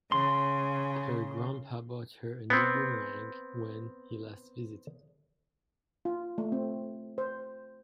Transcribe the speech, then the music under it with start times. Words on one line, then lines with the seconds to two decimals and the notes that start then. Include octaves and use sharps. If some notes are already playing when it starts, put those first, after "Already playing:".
Her grandpa bought her a new boomerang when he last visited.
0.12 C#3 C6
2.50 B3 C4
6.05 F4
6.38 A3
6.52 C4
7.18 C5